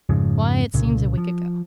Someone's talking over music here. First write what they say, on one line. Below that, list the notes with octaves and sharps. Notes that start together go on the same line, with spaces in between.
Why it seems a week ago.
F2 G#2 C#3 F3
C2 A#2 C#3
F3